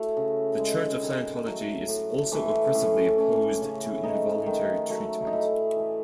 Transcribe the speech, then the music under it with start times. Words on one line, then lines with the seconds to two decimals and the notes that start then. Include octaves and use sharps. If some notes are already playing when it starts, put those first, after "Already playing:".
The Church of Scientology is also aggressively opposed to involuntary treatment.
Already playing: A3 E4 F#4
0.17 C#3
0.59 G#3
1.03 D#3 A4
1.46 F#3 A3
1.89 A2
2.32 E3 A3
2.75 A2 C#4
3.18 E3 A3 C#4
3.61 C#3 C#4
4.03 E3 A3 D#4
4.46 D#3
4.89 F#3 A3
5.27 D#4
5.33 A2 E4
5.76 E3 A3